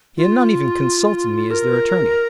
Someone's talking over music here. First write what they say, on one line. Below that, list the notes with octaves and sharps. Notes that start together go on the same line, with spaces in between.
He had not even consulted me as their attorney.
F4
A#4